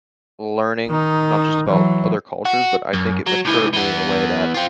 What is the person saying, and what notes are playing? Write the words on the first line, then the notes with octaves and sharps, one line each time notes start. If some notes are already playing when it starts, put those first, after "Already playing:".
learning, not just about other cultures, but I think it matured me in a way that
D#3 D#4
E3 F#3
F#4
F#2
F#3
C#2 E3
E3 B3
C4 F4